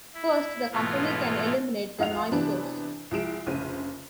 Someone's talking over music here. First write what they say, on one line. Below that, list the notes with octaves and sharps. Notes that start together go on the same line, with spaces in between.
First, the company can eliminate the noise source.
E4
G#2 B2 E3 A3 B3 F4
F2 D#4 F5 F#5 F7
C3 E3 B3 C4 D4
C2 F3 G#3 D7 E7
F1 A#1 C#3 C5 D#7